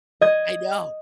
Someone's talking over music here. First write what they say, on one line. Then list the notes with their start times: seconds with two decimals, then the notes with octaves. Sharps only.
I know.
0.21 D#5 G#6